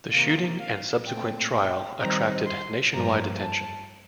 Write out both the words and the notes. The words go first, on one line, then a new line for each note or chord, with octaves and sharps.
The shooting and subsequent trial attracted nationwide attention.
C3 D#3 A#3 F5
F5
A#2 A3 C4 G5
G5
D#3 G3 C4 D#4 A#5
C6
G2 F3 A#3 A#5
A5